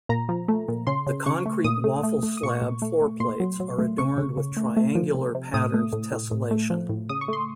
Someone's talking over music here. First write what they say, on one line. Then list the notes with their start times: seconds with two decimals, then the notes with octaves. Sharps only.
The concrete waffle slab floor plates are adorned with triangular-patterned tessellation.
0.09 A#2 A#5
0.29 F3
0.48 A3
0.68 A#2
0.87 C#3 C6
1.07 C#3
1.26 C#3 C#6
1.46 A3
1.64 A#2 D#6
1.84 A3
2.03 A3
2.23 A3
2.37 D#6
2.43 A#2 C#6
2.62 A#2
2.82 A3
3.01 A3
3.20 A#2 C6
3.40 F#3
3.60 F#3
3.78 A3
3.98 C#3 C#6
4.18 C#3
4.37 C#3
4.57 A3
4.77 A3
4.95 F3
5.14 C3
5.35 C3
5.54 A2 D#6
5.74 A3
5.93 A2
6.12 A2
6.31 A2
6.51 A3
6.70 F3
6.89 A2
7.09 C#3 D#6
7.21 C#6
7.28 A3 C6